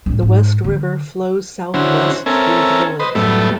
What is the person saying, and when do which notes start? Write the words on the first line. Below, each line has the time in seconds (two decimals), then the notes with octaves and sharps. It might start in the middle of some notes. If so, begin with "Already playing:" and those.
The West River flows southwest through the village.
0.06 A2 D4
0.22 G#2
0.64 D3
1.74 D3 C#4 E4 F#4 C5
2.26 C4 C#4 A4 A#4 E5 G#5
3.00 B4 C5 D#5
3.15 F#2 A2 G3 A3 B3 E5